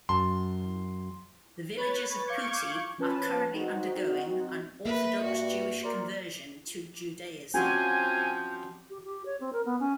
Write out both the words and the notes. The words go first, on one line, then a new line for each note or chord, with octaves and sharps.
The villagers of Putti are currently undergoing an Orthodox Jewish conversion to Judaism.
F#2 A5 C6
B4 C#5 B5 A6
F5 C#6 D6 G6 G#6 C#7
F3 C#4 B4 A5
C4 D#4 F#4
A#3 B4 E5
G2 F#4
A#4 C5 D5
F3 C4 C#4 F#4 G4 G#5 G6
G4
G4
C#5
C4
A#4
B3
C#4